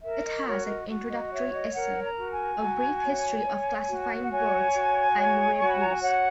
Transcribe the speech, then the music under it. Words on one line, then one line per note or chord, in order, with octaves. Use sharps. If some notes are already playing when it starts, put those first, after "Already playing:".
It has an introductory essay "A Brief History of Classifying Birds" by Murray Bruce.
A#4 E5
D#5
F#4 C#5
D#5
F#4
D#5
C#5 E5
D#5
A#4 F#5
A#5
F#4
G#5
F#4
C#5
C#5
F#4
F#5
C#5 G#5
F#4
C#5
F#4 C#6
B5
A#5
G#5
C#5 F#5